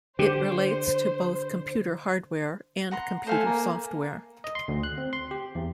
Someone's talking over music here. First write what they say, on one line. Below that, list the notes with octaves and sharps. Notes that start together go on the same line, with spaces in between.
It relates to both computer hardware and computer software.
D3 G4 C5
F#5 A#5 C6
A3 C5 F5 G#5
A#3
D#5
C6
D2
F#6
C4
C6
G4
E2